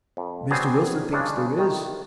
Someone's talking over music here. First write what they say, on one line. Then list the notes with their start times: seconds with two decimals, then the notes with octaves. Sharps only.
Mr. Wilson thinks there is.
0.17 F2
0.50 F#3 B3 C4 D4 G#4
1.12 G2 C#3 G#3 D4
1.59 A2 D#3